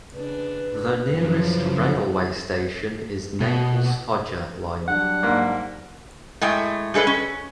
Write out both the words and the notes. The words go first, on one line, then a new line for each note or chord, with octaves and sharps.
The nearest railway station is Naples-Foggia line.
C#3 D4 B4
F#2 C#3 F3 E4
B2
F#3 G3 D4 F#5
G#2 A#3
A2 G#3 A3 G5
G3 G#3 A4 B4
C#4